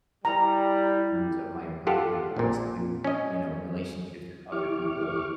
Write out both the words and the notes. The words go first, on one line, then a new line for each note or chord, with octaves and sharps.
terms of my approach when it comes to, you know, relationships with other people,
G3 E4 A#5
F4 G4 A4 F5 F#5
A#1 A#2
C#4 D#5
E4 G4 C#6 D6 F6